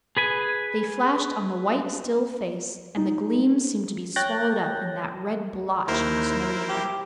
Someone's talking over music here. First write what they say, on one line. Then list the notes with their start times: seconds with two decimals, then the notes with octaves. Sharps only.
They flashed on the white, still face, and the gleams seemed to be swallowed up in that red blotch in the snowy hair.
0.17 G#4 B4 G#5
2.96 D#4
4.16 C#5 G5 F#6 G6 A6 A#6
5.88 D#2 E4 A#4 C5
6.69 G4